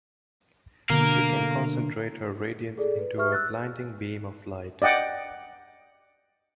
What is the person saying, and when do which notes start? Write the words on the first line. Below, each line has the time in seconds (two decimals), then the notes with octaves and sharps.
She can concentrate her radiance into a blinding beam of light.
0.90 B2 D3 A#3 A#4 F5
2.78 G#4 A4 D5
2.99 B4
3.16 G4 B4 E5 C#6 F6
3.32 E6 F#6 A6
4.82 D5 D#5 F#5 G5